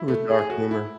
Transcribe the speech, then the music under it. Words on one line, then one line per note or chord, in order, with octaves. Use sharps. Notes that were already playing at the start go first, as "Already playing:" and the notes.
With dark humor.
Already playing: E4
A3
G#4
F#4
E4